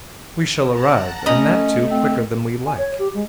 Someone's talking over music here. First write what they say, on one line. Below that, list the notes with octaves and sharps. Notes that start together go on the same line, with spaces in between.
"We shall arrive, and that, too, quicker than we like."
F#5 A5 A#5
A3 C#4 D#5 A#5 B5
C4
G#5
C#5
G4
G#3